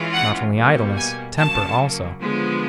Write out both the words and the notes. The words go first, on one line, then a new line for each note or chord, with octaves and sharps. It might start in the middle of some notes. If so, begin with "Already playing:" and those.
Not only idleness, temper also.
Already playing: E3 G#3 C#4 F4
F#5
B2 G3 A#3
G#5
C#3 F#3 A#3 A5
D3 F3 G#3 B3